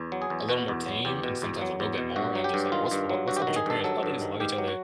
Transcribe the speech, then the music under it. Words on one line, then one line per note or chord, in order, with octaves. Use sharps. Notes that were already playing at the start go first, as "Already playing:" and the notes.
a little more tame and sometimes a little bit more, and I'm just like, "What's wr what's up with your parents?" "Oh, they just love each other,"
Already playing: E2
F#3
G#4
E2
B2 F#4
E2
F#3
E2 G4
B2
E2
F#3
E2
B2
G2 F#4
F#3
G4
G2
D#3 F4
G2
F#3
G2 F#4
G4
F#4
D#3
G#4
G2 A4
F#3 A4
G2
D#3
G#2 G4
F#3
F#4